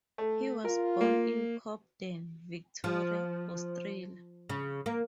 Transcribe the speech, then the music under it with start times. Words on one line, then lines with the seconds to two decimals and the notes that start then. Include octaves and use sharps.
He was born in Cobden, Victoria, Australia.
0.18 A3
0.65 F4 A#4
1.01 A#3
2.84 F3
4.49 C#3
4.86 A#3